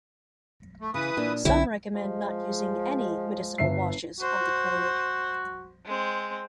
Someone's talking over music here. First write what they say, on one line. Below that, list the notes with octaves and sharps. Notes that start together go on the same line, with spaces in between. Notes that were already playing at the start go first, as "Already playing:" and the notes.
Some recommend not using any medicinal washes on the cord.
A3
C#3 E3 B4 D#6
A#2 A#3 D4
B1 A#2 D3 C4 E4
F3 G#3
G1 E5 C7
F#4 C5
G#3 C4